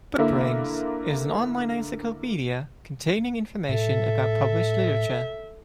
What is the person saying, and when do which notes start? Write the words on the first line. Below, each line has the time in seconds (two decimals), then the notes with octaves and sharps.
BookBrainz is an online encyclopedia containing information about published literature.
0.18 D3 A#3 E4
3.69 A2 A4 E5